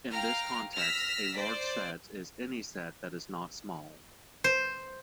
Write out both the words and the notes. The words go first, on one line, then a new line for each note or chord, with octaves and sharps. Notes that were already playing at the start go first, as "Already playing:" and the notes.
In this context, a large set is any set that is not small.
F5 G5 A#5 F6
E6 F6 A#6 B6
C5 D5
C5